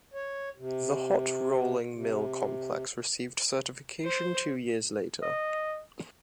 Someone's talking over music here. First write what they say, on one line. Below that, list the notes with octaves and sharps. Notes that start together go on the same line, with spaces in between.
The hot rolling mill complex received certification two years later.
C#5
C3
C3
C5
D#5